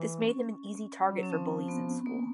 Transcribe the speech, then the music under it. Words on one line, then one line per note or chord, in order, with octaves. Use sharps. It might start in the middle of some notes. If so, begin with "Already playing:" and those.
This made him an easy target for bullies in school.
Already playing: E3
C#4
G3
F#3 C#4
F3 C4
B3
A#3